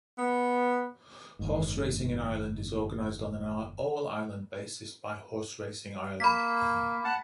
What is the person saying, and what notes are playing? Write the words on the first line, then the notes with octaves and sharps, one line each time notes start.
Horse racing in Ireland is organised on an All-Ireland basis by Horse Racing Ireland.
B3
F#1 D#2 G#2
A#3 B5 B6
F#5 A5